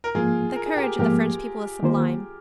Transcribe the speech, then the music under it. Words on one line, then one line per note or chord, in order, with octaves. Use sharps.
The courage of the French people is sublime.
A#4
G#2 F3 A#3 F4 G#4
A#4
G#4
G4 A#4
G#2 F3 A#3 G4 A#4
D#3 A#3 F4 C5